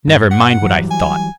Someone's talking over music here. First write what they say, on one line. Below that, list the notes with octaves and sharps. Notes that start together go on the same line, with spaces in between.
Never mind what I thought!
G2
F#5
E3 F#3 G3
G#5